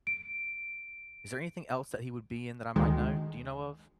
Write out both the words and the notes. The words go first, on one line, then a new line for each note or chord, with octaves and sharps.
Is there anything else that he would be in that I might know, do you know of?
D7
D2 D#3 G#3